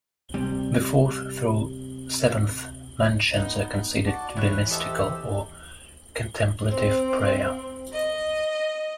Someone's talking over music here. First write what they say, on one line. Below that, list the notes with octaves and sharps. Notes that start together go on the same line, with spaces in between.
The fourth through seventh mansions are considered to be mystical or contemplative prayer.
C3 G3
B3 D#4
F#4 D5 A5
E3 E4 C#5 F#6
G4 A4 C5 D#5 E5 A5
C4
D#5